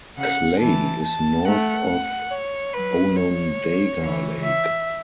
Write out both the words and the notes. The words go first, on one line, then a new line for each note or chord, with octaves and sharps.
Clay is north of Onondaga Lake.
C#3 F#5
E3 A5
A5
A3 F#5
C#5
F#3 B4
C#5
E3
E5